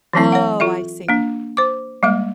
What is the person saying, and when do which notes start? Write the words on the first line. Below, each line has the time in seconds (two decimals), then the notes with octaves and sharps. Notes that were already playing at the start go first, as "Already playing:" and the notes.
Oh, I see.
0.13 E3 F#3 C4 E4
0.32 C#5 F#5
0.60 F4 A4 E5
1.09 A#3 D4
1.57 C5 D6
2.03 G3 G#3 A#3 E5